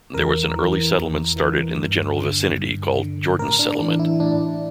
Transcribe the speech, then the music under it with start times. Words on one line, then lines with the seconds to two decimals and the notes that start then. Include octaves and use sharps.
There was an early settlement started in the general vicinity called "Jordan's Settlement".
0.14 E2 A#4
0.56 E3
0.96 E2
1.36 E3
1.77 G2
2.17 D3
2.58 G2
2.98 D3
3.39 A2 A#4
3.59 D4
3.80 E3 D4
3.99 E4
4.20 A2 D4